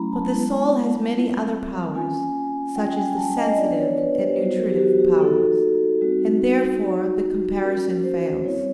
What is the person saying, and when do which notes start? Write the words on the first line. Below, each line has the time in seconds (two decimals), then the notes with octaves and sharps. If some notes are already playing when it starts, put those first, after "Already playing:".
But the soul has many other powers, such as the sensitive and nutritive powers, and therefore the comparison fails.
Already playing: F#3 A3 C#4 E4 A#5 B5
0.13 A5
0.32 G#3 B3 E4
1.13 G3 C4 F4
1.95 A#3 C#4 F4 G#5
2.76 G3 A#3 C#4 F4 G5
2.96 G#5
3.17 A5
3.37 D#5
3.57 B3 D4 F4 D5
3.77 C#5
3.98 B4
4.18 C5
4.38 F#3 B3 D#4 F#4 C5
4.58 A#4
4.70 G4
4.79 F#4
5.00 G4
5.19 A#3 D#4 F#4 A4
6.01 G3 C4 D#4 F#4
6.82 A#3 D#4 F#4
7.63 A#3 C#4 F#4 A#4
8.04 C5
8.44 G3 C4 E4 C#5